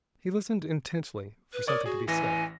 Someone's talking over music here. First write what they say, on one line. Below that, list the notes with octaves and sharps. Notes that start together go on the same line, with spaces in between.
He listened intently for something to be said.
B4
A#4 C#5 D5 D#6
F#4 G#4
A1 E3 G#5 A#6